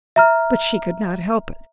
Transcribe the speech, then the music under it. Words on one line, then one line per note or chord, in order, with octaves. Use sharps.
But she could not help it.
E5 A#5 F6